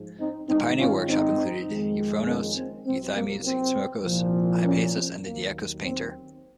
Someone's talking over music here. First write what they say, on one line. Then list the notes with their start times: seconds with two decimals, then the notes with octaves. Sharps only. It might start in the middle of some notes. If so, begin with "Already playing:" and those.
The pioneer workshop included Euphronios, Euthymides, Smikros, Hypsias, and the 'Dikaios Painter'.
Already playing: G#2 F3 G#3
0.19 C4 D#4
0.49 G#2 D#3 G#3 C4 D#4
0.78 C#4 F4
1.08 C4 D#4
1.67 F2 D#3 G#3
2.26 A#3 C#4
2.56 C4
2.86 C2 C3 F#3 C4
3.15 A#3
3.45 C4
4.04 C2 A#2 F3
4.64 A#3 C#4
4.93 C4
5.23 D#2 D#3 F#3 A#3
5.82 C4